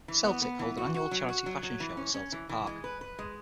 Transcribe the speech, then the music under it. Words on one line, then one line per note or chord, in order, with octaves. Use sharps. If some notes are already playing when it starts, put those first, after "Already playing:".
Celtic hold an annual charity fashion show at Celtic Park.
E3
B3
B3
E3
F#4
F#4
F#3
F#4
F#3
F#3
E3
C#4
C#4
E3
E3
G#3
B4
B4
G#3